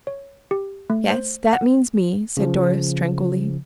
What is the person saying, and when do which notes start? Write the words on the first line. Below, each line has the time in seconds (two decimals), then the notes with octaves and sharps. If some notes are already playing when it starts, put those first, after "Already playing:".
"Yes, that means me," said Doris, tranquilly.
0.07 C#5
0.51 G4
0.90 A3
1.10 C5
1.53 F#5
2.37 C#3 F3